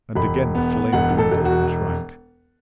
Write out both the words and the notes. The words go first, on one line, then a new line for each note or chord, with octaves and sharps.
And again the flame dwindled and shrank.
E1 B5
B3
E1 F#5
A4
E1
F#4